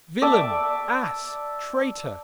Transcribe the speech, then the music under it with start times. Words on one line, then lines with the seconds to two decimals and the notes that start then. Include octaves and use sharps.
'Villain, ass, traitor!'
0.22 D5 E5 A5